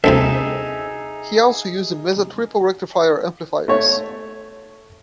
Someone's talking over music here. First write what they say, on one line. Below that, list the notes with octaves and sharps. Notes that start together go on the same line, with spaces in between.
He also uses Mesa Triple Rectifier amplifiers.
A1 D2 C3 D#4 G#4 E5
A3 C#5